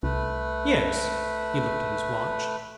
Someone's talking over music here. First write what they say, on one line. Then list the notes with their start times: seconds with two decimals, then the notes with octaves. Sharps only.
"Yes!" He looked at his watch.
0.03 C2 A3 B4